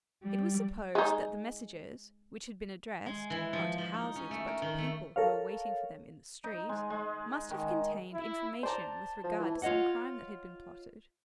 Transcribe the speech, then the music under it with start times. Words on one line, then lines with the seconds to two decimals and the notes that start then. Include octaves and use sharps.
It was supposed that the messages, which had been addressed, not to houses, but to people who were waiting for them in the street, must have contained information with regard to some crime that had been plotted.
0.24 G3
0.95 G#3 D#4
3.06 G#3
3.30 E3
3.53 F3
3.78 F3
3.94 D#4
4.16 C#4
4.31 A3
4.47 A#4
4.62 D#3
4.78 A3
5.16 A4 A#4 C#5 F5
6.44 D#4
6.69 G#3
6.90 G#3
7.51 D#3
8.13 E4
8.63 C5 D5 A5 A#5
9.24 F3
9.40 E3
9.62 F4 C#5 D#5 F#5